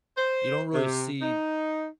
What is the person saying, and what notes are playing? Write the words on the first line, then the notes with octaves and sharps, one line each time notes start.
you don't really see
C5
C3
D#4